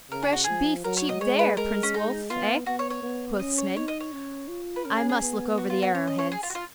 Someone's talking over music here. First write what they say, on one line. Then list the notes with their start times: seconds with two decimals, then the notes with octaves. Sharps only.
'Fresh beef cheap there, Prince Wulf, eh?' quoth Smid; 'I must look over the arrow-heads.'
0.11 C#3 A#4
0.23 G#4
0.33 F#4
0.44 F3 G#4
0.84 F#3 A#4
0.97 C#5
1.09 D#5
1.20 G#3 C#5
1.39 B4
1.57 G#3 A#4
1.83 C#4
1.94 D#4
2.30 B3 F4
2.66 B3 F#4
2.79 C#5
2.90 C#5
3.03 B3
3.40 C#4 D#5
3.58 C#5
3.76 D#4 C#5
3.88 D#5
4.00 C#5
4.12 C#4
4.48 F4
4.76 B4
4.85 C#4 A#4
4.97 G#4
5.09 G#4
5.22 B3
5.58 F#4
5.70 F4
5.82 F#4
5.95 C#4 C#5
6.07 D#5
6.19 C#5
6.32 G#4
6.43 F4
6.50 F#4
6.55 F4